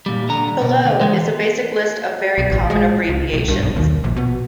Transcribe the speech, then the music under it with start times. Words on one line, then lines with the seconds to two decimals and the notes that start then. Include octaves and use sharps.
Below is a basic list of very common abbreviations.
0.06 A#2 G3
0.29 D3 A#5
0.62 B2
0.86 D2
1.01 E3 G#3
2.38 B1
2.52 A1
2.70 G#3
3.09 C#2
3.33 B1
3.48 G2
3.63 B1
3.76 D#2
4.04 A#1
4.16 B2